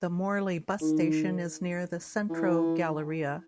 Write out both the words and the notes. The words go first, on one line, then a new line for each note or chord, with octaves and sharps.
The Morley bus station is near the Centro Galleria.
D#3
E3